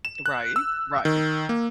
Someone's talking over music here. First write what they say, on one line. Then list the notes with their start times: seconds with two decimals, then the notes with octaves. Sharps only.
Right, right.
0.05 E7
0.26 F#6
0.56 E6
1.05 D#3
1.49 A#3